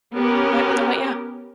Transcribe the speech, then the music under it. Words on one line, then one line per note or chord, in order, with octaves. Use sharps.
What how about you?
B3 C#4 G4 A#4